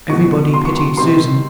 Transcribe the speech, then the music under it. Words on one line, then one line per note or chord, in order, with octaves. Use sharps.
Everybody pitied Susan.
B2 G#3 B3 C#6
C6
C#6
C6
D#3 G3 C4 C6